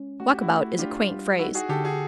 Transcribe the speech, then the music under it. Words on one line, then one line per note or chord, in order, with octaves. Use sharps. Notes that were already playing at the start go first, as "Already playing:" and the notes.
Walk about is a quaint phrase.
Already playing: G#3 C#4
A3 F#4
G4
E4 F#4
A3
D4 F4 G4
G3
D#4 E4 F#4
F#4 G#4
D3 G4 A4
F#4 G#4